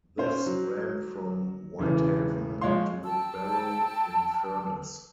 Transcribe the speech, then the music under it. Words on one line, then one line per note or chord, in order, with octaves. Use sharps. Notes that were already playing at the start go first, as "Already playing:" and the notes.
This ran from Whitehaven to Barrow in Furness.
C#4 C5
F#3
E1 C#3 E3
F3 G#3 C#5 F5 C6
G5 A5 E6